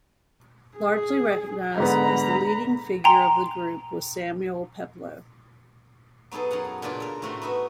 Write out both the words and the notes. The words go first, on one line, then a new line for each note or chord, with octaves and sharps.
Largely recognised as the leading figure of the group was Samuel Peploe.
G#4
G#2 D3 B3 A#5 B5
G5 G#5 A#5 C6
F#3 B3 D#4 G#4 A4
F#2 D#4 F5 F#5
A#2 C#3 D4 F4
A4 A#4
A2 C3 A3 F#4 C6
B3 D#4 F#4 E5 B5